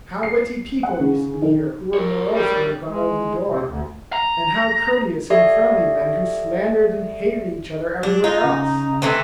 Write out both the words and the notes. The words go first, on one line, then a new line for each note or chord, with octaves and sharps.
How witty people used to be here who were morose when they got out of the door; and how courteous and friendly men who slandered and hated each other everywhere else!
C7
F#5
C#3
D#3
A#4 C#5
G3
G#3
C3
D2
A#5
G4 A4 D5 E5
F#3 D4
D#4 F4
C#3
C3 E3 A3